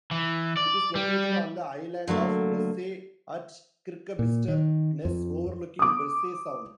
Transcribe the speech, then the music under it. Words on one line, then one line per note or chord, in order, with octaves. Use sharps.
It is located on the island of Bressay at Kirkabister Ness overlooking Bressay Sound.
E3
D5
G3
D3 F#3 A3 A#3
A#2
D#3
F2
D6 D#6